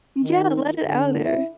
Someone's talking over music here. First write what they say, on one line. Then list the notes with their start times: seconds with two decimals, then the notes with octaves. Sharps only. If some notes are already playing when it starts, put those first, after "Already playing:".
Yeah, let it out, er
0.23 D#3
0.85 D3
1.22 E4